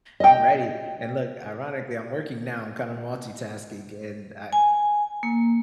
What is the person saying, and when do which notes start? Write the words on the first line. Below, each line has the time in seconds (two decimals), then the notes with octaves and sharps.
"I'm ready." And look, ironically, I'm working now. I'm kinda multitasking and, uh,
0.20 D#5 G5
4.53 G#5
5.23 A#3